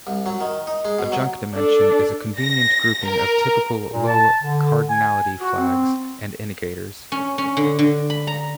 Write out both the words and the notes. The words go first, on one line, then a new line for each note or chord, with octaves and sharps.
A junk dimension is a convenient grouping of typically low-cardinality flags and indicators.
C2
F#3
D#3
D#4
G#3
B2
F#3
D4 A4
A#6
A#4
A#2
A5
D3
G#5
F#4
C4
C#4
C#4
D3
D3
B5
A#5